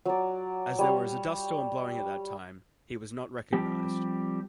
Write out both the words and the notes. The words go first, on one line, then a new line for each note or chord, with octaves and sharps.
As there was a dust storm blowing at that time, he was not recognized.
F#3 D5
G3 C#5
F3 G3 C4 G4